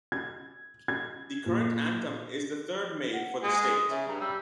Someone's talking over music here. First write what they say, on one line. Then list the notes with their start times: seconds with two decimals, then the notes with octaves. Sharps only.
The current anthem is the third made for the state.
0.12 G#6
0.88 G#6
1.46 A#2
3.12 F#5
3.43 G#3 D#6
3.64 D#6
3.90 C#3 E5
4.07 G2 A#5
4.20 G3 E6